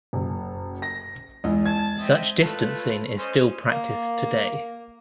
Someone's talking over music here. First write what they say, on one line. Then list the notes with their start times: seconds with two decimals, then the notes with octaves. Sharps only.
Such distancing is still practiced today.
0.13 F#1
0.82 A#6
1.44 E2 G#3 D#5
1.66 A5 G#6
1.99 C4 D#5 E5
2.42 A3 F4 A4 B4
3.18 C#4 C5 D#5
3.69 A#3